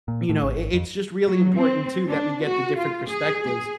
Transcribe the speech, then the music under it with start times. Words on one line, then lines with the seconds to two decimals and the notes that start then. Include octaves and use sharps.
you know, i it's just really important too that we get the different perspectives
0.08 A#2
0.29 A2
0.42 A1
0.56 G#1
0.73 F2
1.27 F#3
1.57 C4
2.09 D4
2.45 F#4
2.79 F4
3.10 G#4
3.45 G#4